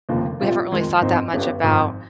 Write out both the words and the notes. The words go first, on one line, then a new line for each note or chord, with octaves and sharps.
We haven't really thought that much about
F1 D#2 C#3 F3 A#3
A#1 A#2 G3 C4 F4
F2 D#3 G#3
G#1 G#2 F3 C4 D#4
G1 G2 G3 C#4
G#1 G#2 F3